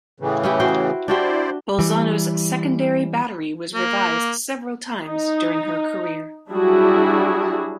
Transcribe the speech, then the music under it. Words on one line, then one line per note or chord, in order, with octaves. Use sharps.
"Bolzano"s secondary battery was revised several times during her career.
A2 C#3 E3
C#4 E4 G4
F#4 C5 G5
D4 E4 F#4 G4 C5 D5
E3 G3
A#3
D#4
F#3 G3 D4 E4 F#4 G#4